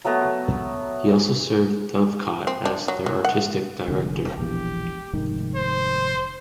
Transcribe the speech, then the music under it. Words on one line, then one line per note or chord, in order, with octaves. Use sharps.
He also served Dovecot as their artistic director.
F#3 A3 B3 A#5
C4
D4
F#3
F#3
F#5
F1 D3 G#3
E1 A#1 E2 G4
F1 G#2 D#3
C5